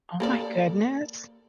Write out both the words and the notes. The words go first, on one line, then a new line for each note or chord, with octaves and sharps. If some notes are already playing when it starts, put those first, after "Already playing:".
Oh my goodness.
A#3 A4 D5